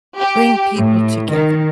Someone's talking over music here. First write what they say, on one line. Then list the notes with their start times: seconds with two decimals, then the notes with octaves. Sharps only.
bring people together?
0.17 G4
0.78 A2
1.33 D#3